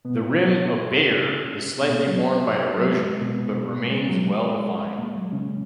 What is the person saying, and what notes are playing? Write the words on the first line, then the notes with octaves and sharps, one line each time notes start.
The rim of Bayer is slightly worn by erosion, but remains well-defined.
B2 B3
C#3 C#4
B2 B3
A#2 A#3
G#3
F#3
F#3
G#3
B2 B3
G#3
F#3
G#3
A#2 A#3
G#3
F#3
G#3
C#3 C#4